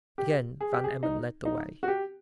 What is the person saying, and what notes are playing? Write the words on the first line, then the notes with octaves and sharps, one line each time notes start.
Again Van Emmon led the way.
G4
G#4
G4
G#4
D#4
D#4
F#4
G4